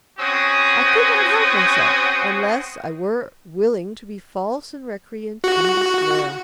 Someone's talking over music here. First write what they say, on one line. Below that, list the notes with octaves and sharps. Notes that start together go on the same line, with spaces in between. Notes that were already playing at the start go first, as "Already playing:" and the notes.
I could not help myself, unless I were willing to be false and recreant and disloyal.
C4 C#4 F#4 C5 D#6
F#4